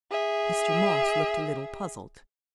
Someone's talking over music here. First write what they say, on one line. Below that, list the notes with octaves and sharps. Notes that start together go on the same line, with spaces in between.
Mr. Moss looked a little puzzled.
G#4 E5